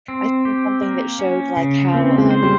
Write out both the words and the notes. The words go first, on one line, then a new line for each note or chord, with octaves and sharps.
I think something that showed, like, how, um,
C4
G4
A#3
C#4
C#3
A#3 C4
G#3
C5
G3